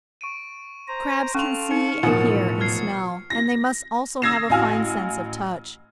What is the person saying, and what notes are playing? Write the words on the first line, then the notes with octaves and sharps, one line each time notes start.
Crabs can see and hear and smell; and they must also have a fine sense of touch.
C#6 D7 D#7
C5 A#5
C#4 A4 F5 C6 C#6 F7
D#4 C#7
E1 A2 F3 D#4 A#4 F#5
F6 G#6 C7
A#6
D#6 E6 G#6 A#6 C7 E7
A1 F#4 F5 G#5 E6 F6